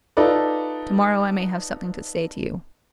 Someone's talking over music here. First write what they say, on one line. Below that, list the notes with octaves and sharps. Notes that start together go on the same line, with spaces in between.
To-morrow I may have something to say to you....
D#4 F4 A4 B4 D5